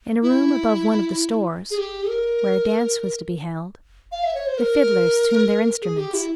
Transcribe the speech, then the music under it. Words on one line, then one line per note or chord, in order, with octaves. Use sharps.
In a room above one of the stores, where a dance was to be held, the fiddlers tuned their instruments.
E4
G#4
G4
A#4
F5
E5
C#5
C5
A#4
G#4
G4
E4